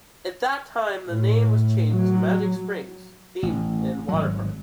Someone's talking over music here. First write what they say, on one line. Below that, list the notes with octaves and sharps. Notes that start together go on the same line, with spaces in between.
At that time the name was changed to Magic Springs Theme and Water Park.
A2
F#3
A1
G#1 F#3